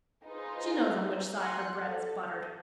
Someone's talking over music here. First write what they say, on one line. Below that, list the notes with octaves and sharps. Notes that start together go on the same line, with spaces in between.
She knows on which side her bread is buttered.
D#4 F4 G#4 B4 C5
F#5 G#5 C6 F#6
A4